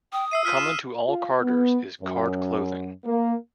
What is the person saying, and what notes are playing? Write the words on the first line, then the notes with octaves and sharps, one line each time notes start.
Common to all carders is card clothing.
G5 D#6
E5 E6 C7 D#7
F4 F6 B6 D#7
E7
F4
B3
F#2
A#3